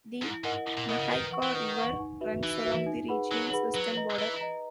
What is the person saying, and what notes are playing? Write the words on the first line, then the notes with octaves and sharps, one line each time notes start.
The Mahaica River runs along the region's western border.
G#2 E4
G#2 A#4 D#5 F#5
E4
A#2
B2 A#4 D#5 F#5
C#3
D#3 B4
F#5 C#6
E3
D#3 B4
F#5 C#6
D#4
F#4 B4 E5
E3 D#4
F#4 B4 E5
D#4
G#4 B4 F#5 B5
F#3 D#4
G#4 B4 F#5 B5
F#3 B4
D#5 A#5
E3 B4
D#5 A#5